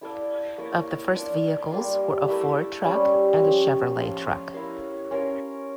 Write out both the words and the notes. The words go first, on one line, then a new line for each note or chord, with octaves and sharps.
Of the first vehicles were a Ford Truck and a Chevrolet Truck.
E4 A4 D5 F5
A#3 E4 A#4 C#5
D4 F4 A#4 E5
G3 A#3 D4 F4
A3 E4 A#4 E5
G3 C#4 G4 C#5
F3 C#4 G4
F3 C#4 F4 A4
E4 A#4 C#5 F5
C#4 F4 A#4 C#5